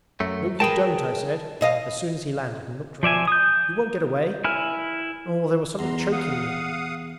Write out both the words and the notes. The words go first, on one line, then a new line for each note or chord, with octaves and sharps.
"No, you don't!" I said, as soon as he landed and looked round, "you won't get away!" Oh, there was something choking me!
F#2 A3
G#4 A#4 B4 G5 A5
B2 D#5 F5
F3 D5 E5 G#5
D#6 G6
E4 G#5 F6
E2 A#5 C6
F5 F#5 D#6